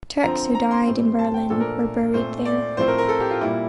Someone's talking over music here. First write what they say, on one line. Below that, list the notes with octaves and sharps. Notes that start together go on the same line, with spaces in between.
Turks who died in Berlin were buried there.
D3 F3 C4 A#5
A#5
C6
A2 E3 G3 C4
A5
G5
A#2 F3 A3 D4 A4
A#4
A#2 A3 C4 C5
D5
A2 F3 A3 C4 C5
A#4
A#4
A4
G4
F4
A#2 G3 A#3 E4